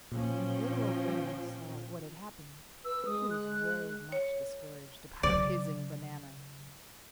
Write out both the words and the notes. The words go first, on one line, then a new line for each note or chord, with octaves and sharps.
When the little old woman saw what had happened she was very much discouraged about raising bananas.
A#2 F3 C#4 G5
B4 E6
G#3 D#6
F#6
C#5
C#3 F#3 D5